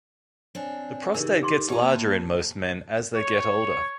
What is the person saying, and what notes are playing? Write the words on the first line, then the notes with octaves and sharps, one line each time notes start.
The prostate gets larger in most men as they get older.
C4 D4 C#5 G#5
C#3 E3 D#4 G4 A#4
G#4 C6
A#3 G4 C#5 D#5 A5 B5
C#5